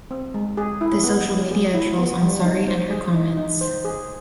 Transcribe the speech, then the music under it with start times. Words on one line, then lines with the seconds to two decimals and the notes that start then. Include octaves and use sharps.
The social media trolls Ansari and her comments.
0.11 C4
0.34 G#3
0.57 G#4
0.81 E4
1.04 B3
1.27 G3
1.51 G#4
1.74 E4
1.98 B3
2.22 G3
2.44 D#4
2.68 C5
2.90 G#4
3.14 D#4
3.37 D#4
3.61 C5
3.85 G#4